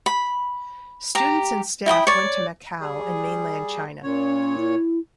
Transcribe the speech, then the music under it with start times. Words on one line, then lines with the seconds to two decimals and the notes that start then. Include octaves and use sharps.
Students and staff went to Macau and mainland China.
0.06 B5
1.15 G4 A#5
1.86 E4 G5 B5 D#6
2.07 C#5 D5
2.81 G3 G#4
4.03 A#2 C#4 C#5
4.58 E4